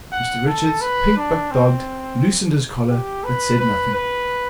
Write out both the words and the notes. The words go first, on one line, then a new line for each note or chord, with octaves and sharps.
Mr Richards, pink but dogged, loosened his collar, but said nothing.
F#5
A4
B4
D4
C4
G4
B4
B4
B4